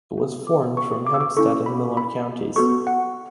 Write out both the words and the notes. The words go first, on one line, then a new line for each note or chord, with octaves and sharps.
It was formed from Hempstead and Miller Counties.
B3 F#4 A4
D6
C#6
D6
E6
D6
C#4 E4 A4 C#6
B5
B5
B3 F#4 A4 C#6
F#5